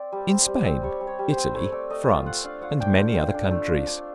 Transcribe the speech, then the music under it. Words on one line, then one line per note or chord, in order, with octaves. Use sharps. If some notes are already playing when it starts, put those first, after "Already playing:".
In Spain, Italy, France, and many other countries.
Already playing: C4 D5
G3
C4
G3
C4
G3 C#5
G3
C#5
G3
C4 C5
A3 C#5
A3 D5
A3 D#5
F4 E5
F4 F#5
D4 F5
F4 F#5
D4 G5
F4
F4
D4
A3
F4
D4